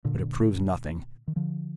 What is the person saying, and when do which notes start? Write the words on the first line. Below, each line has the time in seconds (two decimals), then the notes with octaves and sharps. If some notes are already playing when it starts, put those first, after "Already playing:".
But it proves nothing.
0.05 A#2 D3
1.28 D#3
1.36 D3 F3